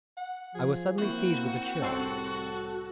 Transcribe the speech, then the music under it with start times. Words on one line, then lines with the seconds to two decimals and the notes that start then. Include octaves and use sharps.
I was suddenly seized with a chill.
0.17 F#5
0.55 F3 G#4
0.98 A#3 C4 E4 F#4
1.82 C2 A2 C4 A4